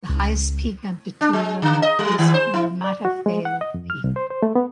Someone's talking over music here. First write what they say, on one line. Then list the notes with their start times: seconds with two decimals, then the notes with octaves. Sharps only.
The highest peak on Tutuila is Matafao Peak.
0.09 C#2
1.21 D4
1.33 G#3
1.62 D3
1.82 D#5
1.99 G3
2.18 D#3
2.34 C5
2.54 E4
2.84 D5
3.05 F#4
3.26 G#3
3.45 F#5
3.61 D#5
3.74 F2
3.90 F6
4.04 C2
4.16 C5
4.31 C5
4.42 A3
4.55 B3